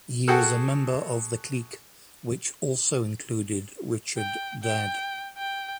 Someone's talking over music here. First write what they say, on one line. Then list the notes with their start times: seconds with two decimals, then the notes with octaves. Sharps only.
He was a member of The Clique, which also included Richard Dadd.
0.28 F#4 G#4 A4 F#5 G5
4.18 G5
4.63 G5
5.37 G5